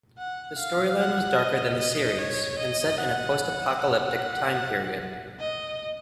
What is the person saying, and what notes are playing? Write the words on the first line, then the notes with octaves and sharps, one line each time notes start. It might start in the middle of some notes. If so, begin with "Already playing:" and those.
The storyline was darker than the series, and set in a post-apocalyptic time period.
F#5
F5
F#5
D#5
D#5
C#5
D#5
F#5
F#5
D#5